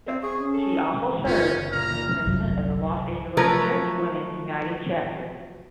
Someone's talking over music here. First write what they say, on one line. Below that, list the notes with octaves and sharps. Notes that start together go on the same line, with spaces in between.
She also served as the president of the Los Angeles Church Women United chapter.
C4
G#4 C#6
C#4
A4
F#1 D3 C#4 D4 F4
A#2 A#5 F6
G1 C2 F#2 F#3
F3 F#3 A3 A#4 B4